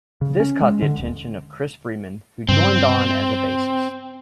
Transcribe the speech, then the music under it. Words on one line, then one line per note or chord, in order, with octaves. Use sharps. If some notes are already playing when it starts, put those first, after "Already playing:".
This caught the attention of Chris Freeman, who joined on as a bassist.
C#3
C#4
G#3
D3
D#1
G2 C#3 C4